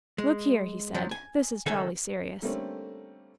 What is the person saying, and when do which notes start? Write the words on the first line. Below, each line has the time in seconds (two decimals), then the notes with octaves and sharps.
'Look here,' he said, 'this is jolly serious.
0.18 G#3
0.95 F3 F#3
1.11 G#5
1.66 C#2 D#3 A3 A4 G#5
2.42 D3 G3 A3 A#3 C4 C#4